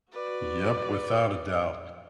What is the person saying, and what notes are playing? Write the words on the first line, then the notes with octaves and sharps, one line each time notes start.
Yep, without a doubt.
F#4 B4 D5